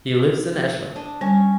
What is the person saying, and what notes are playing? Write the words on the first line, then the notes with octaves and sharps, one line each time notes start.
He lives in Esher.
D4 D#5
G3 C#4